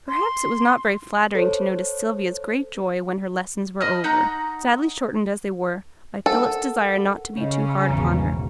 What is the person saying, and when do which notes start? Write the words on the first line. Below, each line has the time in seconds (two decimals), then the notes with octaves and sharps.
Perhaps it was not very flattering to notice Sylvia's great joy when her lessons were over, sadly shortened as they were by Philip's desire not to be too hard upon her.
0.08 C6
1.35 A4 C5 C#5
3.80 D#5 B5 F6
4.04 D#4 F#5 A#5
6.26 A4 A#4 C5 F#5
7.37 C#3 C#4 C#5 D#5
7.89 G#1 E2 B2 A#5